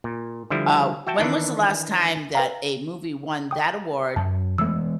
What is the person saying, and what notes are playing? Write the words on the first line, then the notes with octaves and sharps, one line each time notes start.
Uh, when was the last time that a movie won that award
A#2
D3 F3 G3 E4
F#4 E5 G5 A5
D#3 E3 D4 D#4
B4 F5 A#5
G5 D#6
F#2 A5
E3 G#3 A3 B3 E6